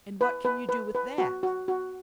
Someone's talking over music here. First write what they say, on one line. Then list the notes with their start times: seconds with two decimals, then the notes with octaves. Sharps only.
"And what can you do with that?"
0.21 B4
0.45 B4
0.69 B4
0.95 B4
1.18 F#4
1.43 F#4
1.68 F#4